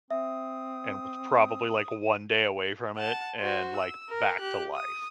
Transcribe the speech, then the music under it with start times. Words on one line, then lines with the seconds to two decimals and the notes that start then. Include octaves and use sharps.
and was probably like one day away from it, and like back to life.
0.11 C4 E5 D#6
2.96 F#5 A5
3.38 F#4 C5
3.76 E6
4.09 A#4
4.38 G4 F#6
4.74 D#6